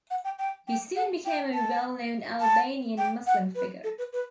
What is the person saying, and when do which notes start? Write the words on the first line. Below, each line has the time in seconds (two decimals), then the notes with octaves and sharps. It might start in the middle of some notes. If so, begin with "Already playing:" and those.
He soon became a well-known Albanian Muslim figure.
0.10 F#5
0.24 G5
0.39 G5
0.68 G5
0.96 F#5
1.26 G5
1.54 A5
2.40 A5
2.98 G5
3.27 F#5
3.55 B4
3.84 A4
3.98 B4
4.12 B4